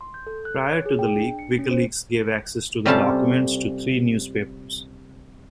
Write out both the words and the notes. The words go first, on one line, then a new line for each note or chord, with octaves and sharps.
Prior to the leak, WikiLeaks gave access to the documents to three newspapers.
C6
G6
A4
F#6
C#5
G#4
G5
D4
C#7
C#4
C5
C3 G3 C#4 F4 A4 A5